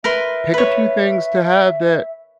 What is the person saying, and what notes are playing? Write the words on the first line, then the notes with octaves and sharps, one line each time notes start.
pick a few things to have that
A#4 B4 E5 C6
B4 C#5